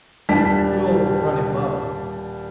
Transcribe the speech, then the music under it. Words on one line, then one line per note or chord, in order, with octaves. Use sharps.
Fuel was running low.
D#1 G3 D4 A5 B6